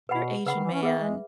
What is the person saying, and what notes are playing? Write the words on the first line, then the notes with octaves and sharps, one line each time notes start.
Asian man
B2 B4 F#5 B5
C#3 B4 F#5 B5
D#3
E3
C#4
B3 G#4 B4 E5
G#3